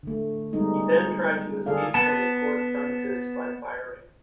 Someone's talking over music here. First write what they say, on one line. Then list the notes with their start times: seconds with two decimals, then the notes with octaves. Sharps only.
He then tried to escape from the court premises by firing.
0.03 D3 A3
0.53 G3 G#3 B3 D#4
1.66 D3 G#4 A4 D5 F5
1.94 B3 A5